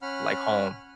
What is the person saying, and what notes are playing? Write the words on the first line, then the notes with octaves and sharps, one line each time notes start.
like home
C#4 F#5 B5 F6